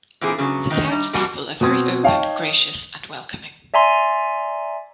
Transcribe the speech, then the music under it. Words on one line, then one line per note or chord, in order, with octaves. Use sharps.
The townspeople are very open, gracious and welcoming.
A#2 E3 C4 G#4
C#3 F#3 B3
D#3 B3 D#4
G3 D#4
F2 B2 G3 A#3 F#4 G#5
B2 C4 D#6 G#6
D#4 C#5 F5 G5 A5 C#6
D5 E5 G#5 A#5 C6